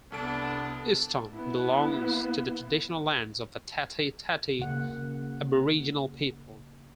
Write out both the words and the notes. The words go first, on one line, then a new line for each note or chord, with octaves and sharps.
Euston belongs to the traditional lands of the Tati Tati Aboriginal people.
C2 B3 D4 A4 A5 D7
B3 E4
C#3 A#3 F#5